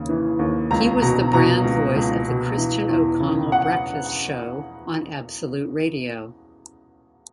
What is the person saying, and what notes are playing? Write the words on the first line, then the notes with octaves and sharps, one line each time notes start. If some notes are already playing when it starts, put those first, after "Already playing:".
He was the brand voice of The Christian O'Connell Breakfast Show on Absolute Radio.
Already playing: D#2 C#3
E3
D#2
C#2 A#5
B2 A#5
B2 A#5
C#2
C#2
B2
E3
E2
C#3
F#5